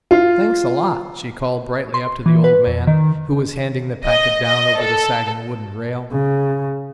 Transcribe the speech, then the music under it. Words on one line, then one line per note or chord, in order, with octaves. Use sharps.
"Thanks a lot," she called brightly up to the old man who was handing the packet down over the sagging wooden rail.
F4
C6
E3
B4
F2
D#3
D#5
D#5
A4
C#3